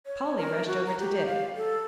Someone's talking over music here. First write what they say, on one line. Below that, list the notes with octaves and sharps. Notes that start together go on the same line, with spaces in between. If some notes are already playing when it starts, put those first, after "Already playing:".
Polly rushed over to Dick.
C#5
A#4
F#4
A#5
G4
F5
A4